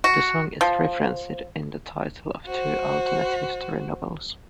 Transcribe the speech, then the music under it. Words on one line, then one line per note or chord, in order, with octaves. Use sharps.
The song is referenced in the title of two alternate history novels.
F#4
F3
F#4 C5